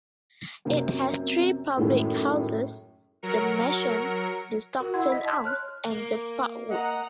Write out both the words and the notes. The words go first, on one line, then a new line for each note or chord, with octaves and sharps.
It has three public houses "The Masham", "The Stockton Arms" and the "Parkwood".
F#2 C3 A#3 C4
F#2 A2 D#3 G#3 A3
F#3 A#4 C#7
F#4 A#4
E4 F#5 C6 G#6
D#5 B6
D#5 A5 C6
C#5 C6 F6 F#6
A#3
D#5 F#5 A#5